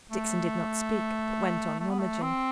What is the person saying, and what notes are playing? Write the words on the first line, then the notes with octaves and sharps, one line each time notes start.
Dixon did not speak, but went on rummaging.
A3
A3
B3
A3
C4